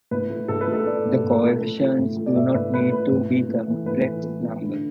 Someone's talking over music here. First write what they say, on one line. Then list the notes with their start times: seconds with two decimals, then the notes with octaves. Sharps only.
The coefficients do not need to be complex numbers.
0.11 A2 B4
0.30 A3
0.48 A2 A4
0.61 B4
0.68 A3
0.73 A4
0.86 A3 D5
1.05 A2
1.24 A2
1.43 A3
1.61 A3
1.81 A3
1.99 A2
2.17 A3
2.26 D5
2.36 A2 E5
2.54 A2 B4
2.74 A2 B4
2.92 A3 B4
3.12 A2
3.29 A2
3.49 A3
3.67 E3
3.86 A2 B4
4.04 E3
4.23 A3
4.42 A3
4.61 D3